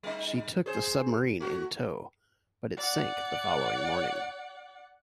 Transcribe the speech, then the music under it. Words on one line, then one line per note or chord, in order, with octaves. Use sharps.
She took the submarine in tow, but it sank the following morning.
G3 D#4
G#4 C5
A3 F#4
D5 F#5